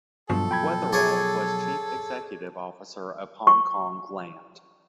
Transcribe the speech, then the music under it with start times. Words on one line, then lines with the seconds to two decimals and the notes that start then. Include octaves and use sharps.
Weatherall was chief executive officer of Hongkong Land.
0.30 G2 B2 F3 F#3 A4
0.51 G5 B5 G#6
0.93 G#4 C#5 D5
3.47 C#6